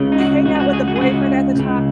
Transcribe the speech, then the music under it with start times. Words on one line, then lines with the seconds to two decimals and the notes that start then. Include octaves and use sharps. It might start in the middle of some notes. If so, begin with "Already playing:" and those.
hang out with the boyfriend at the ti
Already playing: C#2 C#3
0.12 D#4
0.19 F#4
0.46 C#2 C#3 F#4
0.55 G#4
0.60 F#4
0.73 G#4
0.88 F#4
0.96 G#4
1.01 C#2 C#3 F#4
1.55 C#2 C#3